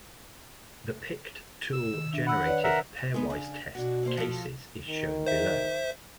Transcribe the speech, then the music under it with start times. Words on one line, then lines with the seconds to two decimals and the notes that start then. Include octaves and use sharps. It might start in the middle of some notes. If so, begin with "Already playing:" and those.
The pict tool generated pairwise test cases is shown below.
1.73 E6
1.93 D#3
2.13 D4 E5
2.27 F#5 B5 E6
2.46 B4 C#5 D5
2.64 A#4 E5 F#5
3.14 G#3 B3 D#4
3.30 C#3 D4
3.75 B2 D4 F#4
4.03 D2 A#3 C5
4.17 F3 F4 A4
4.86 D#3
5.27 C5 E5